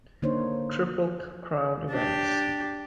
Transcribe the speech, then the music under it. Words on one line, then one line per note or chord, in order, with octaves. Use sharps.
Triple Crown events.
D3 A#3 D4 D#4 C5 C#5
D4 G4